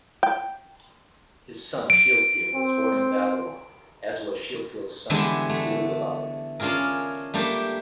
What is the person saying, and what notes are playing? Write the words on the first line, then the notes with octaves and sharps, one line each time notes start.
His son Shealtiel was born in Babylon, as was Shealtiel's son Zerubbabel.
G5
D7
C4
D3 E3 G3 G#3 B3 D4
A3
C#4 D4 F4 G#4 A#4
G3 A3 A#3 D4 G4